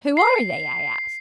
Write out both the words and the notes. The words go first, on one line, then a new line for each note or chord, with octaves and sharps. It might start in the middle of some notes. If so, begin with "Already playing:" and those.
"Who are they?" I asked.
C7